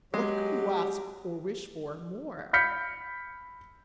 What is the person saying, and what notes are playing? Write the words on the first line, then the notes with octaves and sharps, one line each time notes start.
What could you ask, or wish for, more?
F#3 G#3 G4
B5 F6 G6 B6 C#7